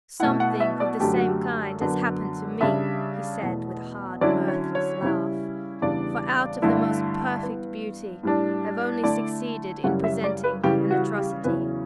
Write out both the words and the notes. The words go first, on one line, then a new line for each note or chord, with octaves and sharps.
"Something of the same kind has happened to me," he said with a hard, mirthless laugh, "for out of the most perfect beauty I have only succeeded in presenting an atrocity."
B2 A3 E4 F#5
F#5
E5
D5
F#2 D3 F#3 A3 G4
F#4
G4
F#2 D3 F#3 B3
C#3 G3 D4 E5
E2 B2 A3
D3 F#3 C#4 E4 D5
C#5
C#5
C#3 G3 C#4 E4
E2 C#3 E3 G3 D4 D5
G2 D3 A3 E4
G2 E3 B3
A2 G3 D4
D3 A3 E4 D5
F#2 C#3 G3 C#4 E4 F#5
E5
D5
B4
C#3 E3 G3 G4
F#4
G4
E2 C#3 F#3 C#4 E4 B4